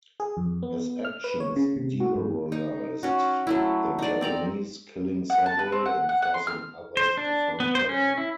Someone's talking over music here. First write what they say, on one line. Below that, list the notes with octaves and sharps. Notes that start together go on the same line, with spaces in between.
His actions demoralised the Japanese, killing several and forcing others to find cover.
G#4
F2
B3
F6
B4
C#5
C#3
C3
F#4
G#2
D#4
C#4 F#4
F#3 A3 E4
D#4 D5
C4 D5 A#5 D6
F#5
A5
B4
C4
F#5
F#5
F#5
C6
F6
C5
D4
B3
C5
C#4
E4